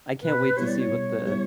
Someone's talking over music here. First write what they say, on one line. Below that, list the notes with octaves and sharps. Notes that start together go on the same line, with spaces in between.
I can't wait to see what the
B2 B4
G3 B3 E4 G4 C#5
D5
C#5
B2
G3 B3 E4 G4